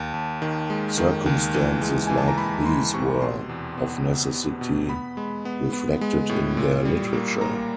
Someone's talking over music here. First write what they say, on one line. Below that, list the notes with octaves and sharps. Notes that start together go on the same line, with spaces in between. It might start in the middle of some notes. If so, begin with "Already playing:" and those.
Circumstances like these were, of necessity, reflected in their literature.
Already playing: D#2 A5
D#2
D#3
G#3
D#3
D#2
E3
G#3
E3 G#5
A5
A#5
G#3 B5
E3 C6
C3 C#6
B2 C6
E2
B3
B3
B3
B2
B3 B5
G#3
B3
B3
G#3
A2
A#2
G3
A#3
A#3 A#5